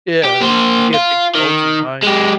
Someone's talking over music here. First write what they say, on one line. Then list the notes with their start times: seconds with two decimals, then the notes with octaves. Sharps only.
yeah, he 'cause he had big bulging eyes,
0.24 G4
0.41 A#3 C5
0.94 F4
1.35 D#3
2.03 G#3 G4